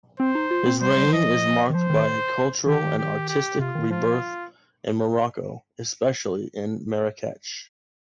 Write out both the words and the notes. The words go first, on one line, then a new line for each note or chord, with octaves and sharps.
His reign is marked by a cultural and artistic rebirth in Morocco, especially in Marrakech.
C4 C5
D#4
F4
C4
G3 C5
G3
D#3
F3 D#5
D#3
F3 C5
D#3
D#3 G4
G4
G4
C3 F4
D#3
F3 F4